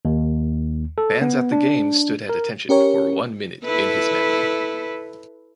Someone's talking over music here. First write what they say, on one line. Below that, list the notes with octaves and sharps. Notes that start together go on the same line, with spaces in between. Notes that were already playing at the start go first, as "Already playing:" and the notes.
Fans at the game stood at attention for one minute in his memory.
D#2
A4
B3
D4
A#4
C#4 G4 A#4 C#5
E4 A4 B4